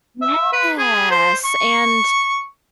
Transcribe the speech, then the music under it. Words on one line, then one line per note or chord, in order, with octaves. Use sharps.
Yes, and
E5
B4
G#4
C5
C#6